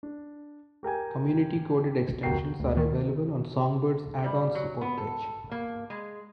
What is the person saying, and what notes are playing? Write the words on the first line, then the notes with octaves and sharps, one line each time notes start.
Community coded extensions are available on Songbird's addons support page.
D4
G4 A#4 G5 G#5
F1 D2 F#4 A#4 G5 C7
D2
D#3
G3
F#3
B3
A4
A#3
G#3